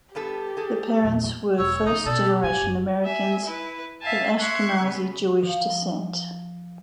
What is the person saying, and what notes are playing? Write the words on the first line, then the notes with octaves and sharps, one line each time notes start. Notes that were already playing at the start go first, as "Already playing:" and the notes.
Her parents were first generation Americans of Ashkenazi Jewish descent.
G2 B3 G4 A4
G#4 A4
A#1 E2 F#3
E1 C#5 E6
C#3 F3 D#4 D#6
B2 A4 D5
G4
A2 G#5
F#1
E5 G#5
E4 B4
E5 F5 G#5 A5
E5 C6 C#6 F#6 G#6
C#3 B3
F3